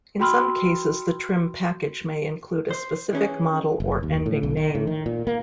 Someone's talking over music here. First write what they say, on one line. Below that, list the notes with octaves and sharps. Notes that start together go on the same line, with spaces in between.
In some cases the trim package may include a specific model or ending name.
F#4 G5 B5 C6 E6 F6
C5
E3 C#4 G#4
F#1
D#2
A2
B1
D#3
A2
D#3
A#2
A#3